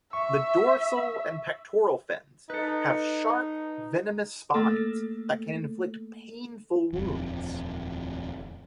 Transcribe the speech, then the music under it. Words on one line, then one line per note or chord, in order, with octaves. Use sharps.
The dorsal and pectoral fins have sharp, venomous spines that can inflict painful wounds.
E5 C#6
D#4 A4 B4
A3 A#3 A4
D#1 F2